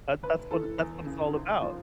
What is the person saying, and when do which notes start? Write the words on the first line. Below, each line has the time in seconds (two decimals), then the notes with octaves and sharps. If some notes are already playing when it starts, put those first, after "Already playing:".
That that's how that's what it's all about
0.23 F1 B4
0.51 E3 A4
0.79 E2
1.07 C#3
1.34 G#1
1.62 F3